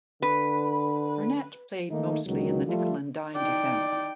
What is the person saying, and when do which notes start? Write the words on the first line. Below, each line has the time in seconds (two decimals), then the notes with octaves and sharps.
Burnett played mostly in the nickel and dime defense.
0.22 D3 B4
1.91 D#3 A3 A#3 D#4
2.26 C#2 B2 D#3 F#3
2.67 F3 G3 A3 F4
3.35 D#4 D5 G5